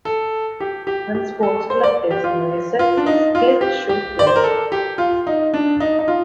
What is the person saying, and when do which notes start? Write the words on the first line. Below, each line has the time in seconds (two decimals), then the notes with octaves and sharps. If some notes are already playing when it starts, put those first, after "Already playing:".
One sports club is Neusser Schlittschuh-Klub.
0.05 A4
0.60 G4
0.87 G4
1.15 G4
1.43 A4
1.70 C5
1.84 D5
2.11 G4
2.24 F4
2.79 F4
2.97 D4
3.06 D#4
3.35 F4
3.61 G4
3.89 G4
4.19 D5
4.27 C5
4.36 A#4
4.44 A4
4.72 G4
4.98 F4
5.27 D#4
5.54 D4
5.80 D#4
5.99 D#4
6.08 F4